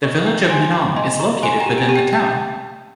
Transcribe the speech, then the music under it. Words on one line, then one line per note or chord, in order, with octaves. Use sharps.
The Village of Minong is located within the town.
D#5 A#5 C#6
G#4 G5 A#5
G#4 G#5 C6
C6
G5 A#5
D#5 G#5 C6
G#4 A#5 C#6
C5 G#5 C6
G5 A#5
G4
G#5
G4
G5
G5